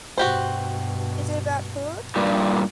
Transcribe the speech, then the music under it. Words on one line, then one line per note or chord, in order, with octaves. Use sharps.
Is it about her?
G2 B2 F#4 G4 C5
G2 A#2 G3